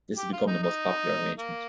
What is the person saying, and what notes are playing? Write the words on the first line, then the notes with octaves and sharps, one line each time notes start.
This has become the most popular arrangement.
G4
F4
D#4
D#4
A#3